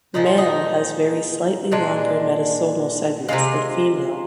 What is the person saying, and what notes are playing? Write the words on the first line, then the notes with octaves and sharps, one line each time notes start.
Male has very slightly longer metasomal segments than female.
A#2 F3 G#3 D#4
F4
D#4
A#2 G#3 D4
C3 F3 G#3 F4